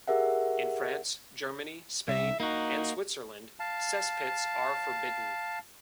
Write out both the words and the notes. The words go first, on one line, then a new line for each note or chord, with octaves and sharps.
In France, Germany, Spain and Switzerland, cesspits are forbidden.
G4 G#4 A#4 E5 F#5
C2 E5
A#3 D#4 F#4
F5 A5